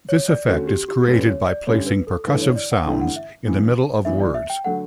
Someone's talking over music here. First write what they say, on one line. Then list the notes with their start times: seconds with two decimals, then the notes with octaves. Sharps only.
This effect is created by placing percussive sounds in the middle of words.
0.09 C#5
0.28 D5
0.48 D2 D3 A3 C#4 F#4
0.68 G4
0.88 G4
1.07 G2 D3 G3 C#4 B4
1.27 C#5
1.48 D5
1.67 G2 D3 G3 C#4 C#5
1.87 B4
2.07 A4
2.26 A1 G2 D3 A3 E4 B4
2.42 C#5
2.56 D5
2.72 F#5
2.86 A1 G2 D3 A3 E4 G5
3.01 F#5
3.16 E5
3.46 G2 E3 B3
4.05 G2 E3 B3 E5
4.20 D5
4.34 E5
4.50 G5
4.64 D3 F#3 A3 F#5